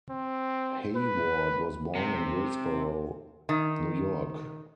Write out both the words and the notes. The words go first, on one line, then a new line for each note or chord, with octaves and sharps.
Hayward was born in Willsboro, New York.
C4
B4
C3
D#3